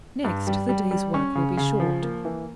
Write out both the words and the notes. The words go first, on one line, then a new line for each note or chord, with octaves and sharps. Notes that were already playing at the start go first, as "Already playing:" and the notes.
Next, the day's work will be short.
G2
G3
G3
G3
C#4
C#3
C#3
F3
A#3
E3